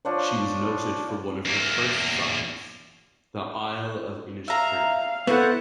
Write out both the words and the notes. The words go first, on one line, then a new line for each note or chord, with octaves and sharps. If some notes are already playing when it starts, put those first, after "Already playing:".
She was noted for one of her first songs, "The Isle of Innisfree".
F3 D4 C#5
E2 A#3
E5 F5 A#5
B3 E4 F#4 A4 C5 F#5